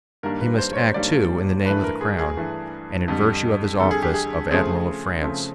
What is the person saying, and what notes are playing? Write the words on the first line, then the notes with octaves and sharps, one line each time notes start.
He must act, too, in the name of the Crown, and in virtue of his office of Admiral of France.
G2 D#3 G3 A#3 D4 A#4
B4
C5
C#5
C5
G2 D#3 G3 A#3 D4 D5
G2 E3 A3 D4 B4
A#4
G#4
G#4
G2 E3 A3 D4
F2 D3 G3
F2 D3 G3 A4
G#4
G4
G#4
C#3 F3 A3 C4 G#4
C#3 F3 A3 C4